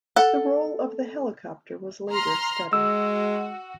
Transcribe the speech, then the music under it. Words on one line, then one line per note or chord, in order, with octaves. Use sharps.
The role of the helicopter was later studied.
A4 F#5
A#5 C6 F6
G#3 F#4 E6